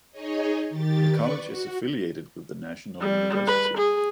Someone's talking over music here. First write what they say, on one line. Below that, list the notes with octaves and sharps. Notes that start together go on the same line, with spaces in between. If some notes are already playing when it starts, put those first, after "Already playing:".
The college is affiliated with the National University.
D#4 G#4 C#5 D#5
D#3 G4 A6
B4 D5 C#6
F#4
G3
B4
G#4